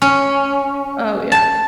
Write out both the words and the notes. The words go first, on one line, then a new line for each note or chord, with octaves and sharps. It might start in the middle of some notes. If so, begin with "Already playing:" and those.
Oh, yeah.
C#4
A5